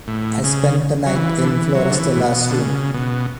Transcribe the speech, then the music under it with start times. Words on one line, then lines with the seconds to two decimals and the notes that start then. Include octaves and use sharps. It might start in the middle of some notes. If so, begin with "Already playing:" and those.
I spent the night in Florastella’s room.
0.08 A2
0.44 C#3
1.06 F#3
1.16 E3
1.44 D3
1.52 E3
1.75 F#3
1.91 D3
1.99 E3
2.15 A2
2.23 B2
2.50 D3
2.59 C#3
2.94 B2